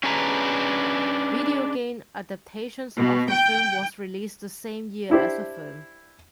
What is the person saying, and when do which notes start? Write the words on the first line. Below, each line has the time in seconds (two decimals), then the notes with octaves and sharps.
Video game adaptations of the film was released the same year as the film.
0.04 C#4 D4 G#4 B4 A#5
2.97 B2
3.31 G5
5.10 D4 E4 G4 C5